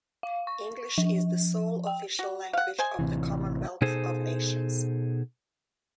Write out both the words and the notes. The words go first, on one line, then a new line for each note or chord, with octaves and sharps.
English is the sole official language of the Commonwealth of Nations.
F5
C#6
F3
G5
F#4
F5 F#5
C5 D#5 G#5
A1 C3 E3
B2 D#4 G#4 A4 C5